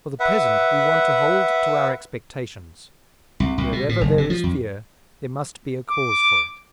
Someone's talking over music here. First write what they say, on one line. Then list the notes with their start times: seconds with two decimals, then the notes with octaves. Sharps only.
For the present we want to hold to our expectations: "Wherever there is fear, there must be a cause for it."
0.20 B4 E5 F#5
3.40 C2
3.58 C2
3.72 B2
3.89 A2
4.01 F#1
4.18 C3
4.30 F3
4.44 F2
5.90 D6